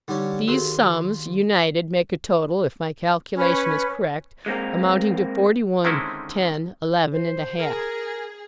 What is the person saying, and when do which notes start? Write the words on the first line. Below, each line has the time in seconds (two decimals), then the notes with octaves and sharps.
These sums, united, make a total, if my calculation is correct, amounting to forty-one, ten, eleven and a half.
0.08 D3 G3 C#4 D#4
0.48 D#2 F#4 G#4 A4 C6
3.35 C#4 B4
4.46 G#3 A#3 C4 A#4
5.84 D3 D#3 G#3 C4 C#4 E4
7.12 C5
7.58 G#4 A#4